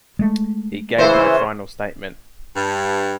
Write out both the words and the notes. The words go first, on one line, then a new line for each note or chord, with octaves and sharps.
He gave no final statement.
G#3 A3
C#3 E3 C5
G2